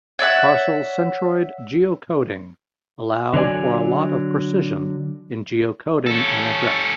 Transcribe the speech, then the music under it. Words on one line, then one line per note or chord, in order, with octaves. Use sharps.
Parcel-centroid geocoding allowed for a lot of precision in geocoding an address.
C#5 D5 E5 F#5
D3 F#3 D5 G#5
C#4 A4